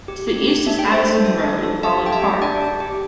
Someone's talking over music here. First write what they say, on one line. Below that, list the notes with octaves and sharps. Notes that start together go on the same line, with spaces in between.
To the east is Addison Road and Holland Park.
G4
G4
G4
D4 E5
G5
A4
C5 E5
D4
A4
D4
A4
G4 E5 A5
G4 G5
E5 A5
G4
D4 D5 G5
G4
G4